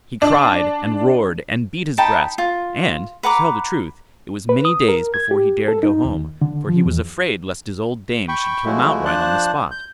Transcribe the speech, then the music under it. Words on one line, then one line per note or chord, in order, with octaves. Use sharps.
He cried and roared and beat his breast, and, to tell the truth, it was many days before he dared go home; for he was afraid lest his old dame should kill him outright on the spot.
D4
D#4 G5 A5 B5
F4
B4 F#5 A#5 D6
B4
D#6
A#4
G#6
G4
A4
D#4
D#2
D3
F3
E2
G5 B5 C#6
F3 G#3 A3 E4 F#4
F3 D4 C5 A5 F#6
G6